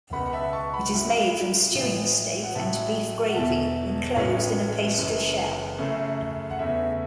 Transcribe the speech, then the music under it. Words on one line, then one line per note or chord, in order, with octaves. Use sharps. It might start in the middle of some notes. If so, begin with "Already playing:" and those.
It is made from stewing steak and beef gravy, enclosed in a pastry shell.
C#2 B2 B3 F#5 B5
F#5
E5 A5
A5 C#6
F#5 B5
A1 A2 F#3
A1 A2 E3
F#5
A1 A2 F#3 E5 A5
F#5
E1 E2 B2 E5 A5
A1 A2 E3 C#4
F#1 F#2 E3
F#2 C#3 A3
F#5
E2 C#3 A3 E5